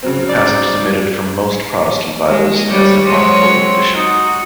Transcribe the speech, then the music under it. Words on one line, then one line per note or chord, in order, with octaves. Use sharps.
The passage is omitted from most Protestant Bibles as an apocryphal addition.
C#3 F#3 C4
D#4 D5
G#3
G3 C#5
F#3 G#3 C5 C#5
C4
D#4 F#4